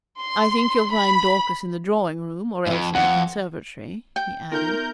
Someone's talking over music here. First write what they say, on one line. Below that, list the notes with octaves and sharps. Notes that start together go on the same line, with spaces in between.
'I think you'll find Dorcas in the drawing-room, or else in the conservatory,' he added.
C6
B5
F2 G#2
F2 F#5
G5
B3 D#4 A#4 E5 G6